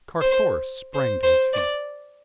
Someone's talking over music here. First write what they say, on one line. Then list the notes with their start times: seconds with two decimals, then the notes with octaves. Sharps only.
Carthoris sprang to his feet.
0.22 C5
0.94 C5
1.23 C5
1.53 D5